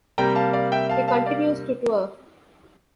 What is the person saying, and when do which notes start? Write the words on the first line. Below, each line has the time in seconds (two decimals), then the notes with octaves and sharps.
He continues to tour.
0.18 C3 G3 A#3 G5 A#5
0.35 F5 A5
0.53 D5 F5
0.72 E5 G5
0.89 F5 A5
1.08 F5 A5
1.26 D5 F5